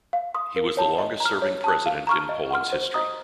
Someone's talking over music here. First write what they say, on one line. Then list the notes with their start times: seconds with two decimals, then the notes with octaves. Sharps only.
He was the longest serving President in Poland's history.
0.13 F5
0.34 C6 D#6
0.56 A#4
0.77 C#5 A5
0.99 D#5
1.20 A#5
1.25 F6
1.42 C#5
1.64 A5 D#6 F#6
1.86 F5
2.07 A#5 C#6 F6
2.29 D#5
2.51 F#5 C6 F6
2.73 C5
2.94 D#5 A#5 D#6